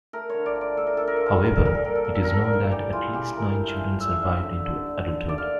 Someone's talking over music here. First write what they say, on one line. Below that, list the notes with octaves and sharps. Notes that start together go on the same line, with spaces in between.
However, it is known that at least nine children survived into adulthood.
A3 A#4
D3 C#5
D5
F3
D5
A3 A4
A#4
D3 A4
A#4
F3 A4
A#4
A4
G3 A#4
A4
A#2 A#4
A4
G3 A#4
A4
A#2 A#4
A4
G3 A#4
A4
A#4
G3 A4
E3 G4
E3 F4
C#3 G4
A3 A#4
A3
F5
E3
A3 E5
F5
D3 E5
A3
D3
A3
D3
A3 D5
F5